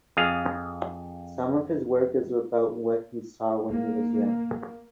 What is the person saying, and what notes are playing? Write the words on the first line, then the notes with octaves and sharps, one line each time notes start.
Some of his work is about what he saw when he was young.
F2 G#4 F5
A#3